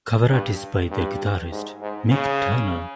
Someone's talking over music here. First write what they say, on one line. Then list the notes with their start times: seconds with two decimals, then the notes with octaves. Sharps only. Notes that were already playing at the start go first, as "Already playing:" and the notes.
Cover art is by their guitarist, Mick Turner.
0.31 G2
0.91 G2
1.51 G#2
1.82 G#2
2.11 C#3